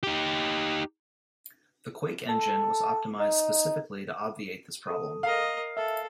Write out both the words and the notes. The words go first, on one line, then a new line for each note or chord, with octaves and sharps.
The "Quake" engine was optimized specifically to obviate this problem.
D#4 G4
A4
D#4
A4 D#6
A#4 D#5 F5
A4 E5